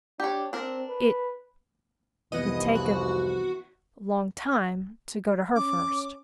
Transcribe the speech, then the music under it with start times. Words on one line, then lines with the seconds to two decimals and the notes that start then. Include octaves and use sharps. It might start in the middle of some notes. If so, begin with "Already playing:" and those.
"It--would take a--long time to go to her first?"
0.20 D4 G4 C#5
0.53 C4 D4 A#4
0.89 B4
2.32 C2 F2 G#2 E3 B3 D#5 F#5
2.75 F#4
5.55 C#4 D6